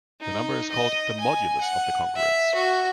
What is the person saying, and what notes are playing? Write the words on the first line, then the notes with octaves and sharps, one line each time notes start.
The number is called the "modulus" of the congruence.
D#4
D#5
G#5
F#5
E5
F#4